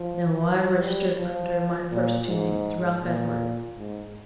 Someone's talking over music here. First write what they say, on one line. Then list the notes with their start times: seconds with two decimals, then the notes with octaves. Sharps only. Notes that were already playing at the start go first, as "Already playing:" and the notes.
No, I registered under my first two names--Ralph Edwards.
Already playing: F3
0.80 G3
1.17 F3
1.91 A#2
2.28 G#2
3.03 A#2
3.77 G#2